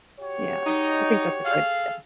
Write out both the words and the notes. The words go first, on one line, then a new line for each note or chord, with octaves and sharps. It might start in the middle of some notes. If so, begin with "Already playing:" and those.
Yeah, I think that's a great idea.
F#4 G4 C#5
D#4
G#4 A4 F5